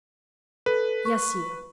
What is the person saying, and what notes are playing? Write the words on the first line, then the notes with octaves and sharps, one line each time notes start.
"Yes, you."
A4 B4
C#6